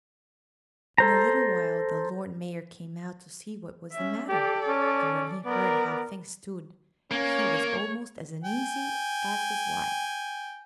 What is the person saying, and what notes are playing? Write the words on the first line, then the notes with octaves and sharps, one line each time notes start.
In a little while the Lord Mayor came out to see what was the matter, and when he heard how things stood he was almost as uneasy as his wife.
A4 C5 A#5
C#4 E5
G4 A4 D5
C#4
B3 A#4 D5
A#3 C#4 C#5
G5 G#5